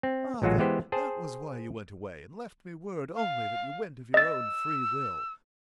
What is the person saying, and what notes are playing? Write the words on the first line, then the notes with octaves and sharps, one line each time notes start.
Ah, then, that was why you went away, and left me word only that you went of your own free will.
C4
A1 A#2 F#3 G#3 F4 F#4
E3 G#3 B3 G4 C5
G#4 C5 G5 A5
F5
D#5 E6 A6